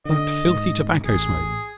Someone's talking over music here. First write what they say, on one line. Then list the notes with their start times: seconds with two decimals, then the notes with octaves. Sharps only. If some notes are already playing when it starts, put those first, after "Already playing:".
That filthy tobacco-smoke!
0.05 D3 D#5
0.46 G#2
1.04 A1 G#4